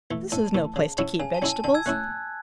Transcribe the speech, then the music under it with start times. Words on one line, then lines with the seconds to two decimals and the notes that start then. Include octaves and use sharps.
This is no place to keep vegetables.
0.11 E3 A3
0.32 A2 A5
0.55 E3 A3
0.76 C#3
0.98 F#3 C#4 E4
1.20 C#3 G#5
1.34 A5
1.42 F#3 C#4 E4
1.49 A5
1.64 D3 A5
1.74 E6 G#6
1.86 A3 C#4 E4 F#6